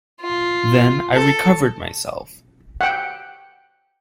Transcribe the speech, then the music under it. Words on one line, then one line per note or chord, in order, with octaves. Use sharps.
Then I recovered myself.
F4
A4
F#5 G5